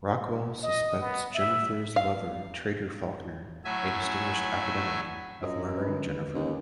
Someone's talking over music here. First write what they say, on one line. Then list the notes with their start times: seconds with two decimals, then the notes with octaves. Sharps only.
Rockwell suspects Jennifer's lover Trader Faulkner, a distinguished academic, of murdering Jennifer.
0.63 D#5
1.00 B3
1.34 E5
1.96 F5
3.64 A2 F#3 E5 G#5
5.42 F#2 F4 D#5
5.76 G#3 B4 C#5
5.89 D3
6.34 D#2 C#4 G4